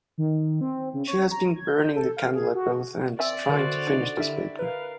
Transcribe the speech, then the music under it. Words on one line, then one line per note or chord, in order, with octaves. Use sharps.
She has been burning the candle at both ends trying to finish this paper.
D#3
C4
C#3
C#5
A#5
G#6
G6
A4
F5
G#4
F#4
C4 D5 E5 G#5
D3 F#4 G#4 A#4 C5
D#4
G3 D4 E4 E5
A#4 B4 F5